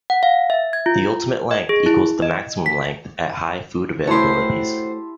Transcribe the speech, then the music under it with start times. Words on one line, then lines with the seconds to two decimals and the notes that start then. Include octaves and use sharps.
The ultimate length equals the maximum length at high food availabilities.
0.10 F#5
0.23 F5
0.50 E5
0.73 G#6
0.86 F4
1.51 D#5
1.69 G#4
1.86 E4
2.22 D#5
2.66 B6
4.08 A3 E4 F#4 G4 C5 C#5 A5 C6